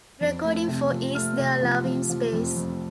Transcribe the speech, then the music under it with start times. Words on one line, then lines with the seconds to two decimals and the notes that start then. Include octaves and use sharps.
Recording for Is There Love in Space?
0.21 F2
0.44 A3
0.68 C3
0.91 F3
1.15 A3 F6
1.39 C3
1.62 F3
1.85 F3
2.10 F3
2.33 F2
2.57 F2